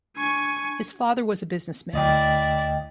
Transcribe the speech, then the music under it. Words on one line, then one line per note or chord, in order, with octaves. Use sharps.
His father was a businessman.
D4 G#5 C#6
D2 E4 D5 D#5 G5